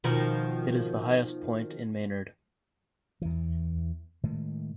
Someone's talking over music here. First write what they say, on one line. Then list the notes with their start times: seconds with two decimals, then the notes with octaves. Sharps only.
It is the highest point in Maynard.
0.04 B2 D#3 F3
3.22 E2 E3
4.23 A2 D#3 G#3